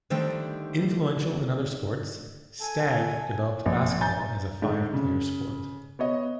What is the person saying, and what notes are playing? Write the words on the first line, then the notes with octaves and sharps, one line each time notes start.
Influential in other sports, Stagg developed basketball as a five-player sport.
D3 D#3 G3 A3 C5 G5
A4 G#5
A#1
G#5 A#5 G6 A6
G#2 D3
C#3
B3 C#5 D#5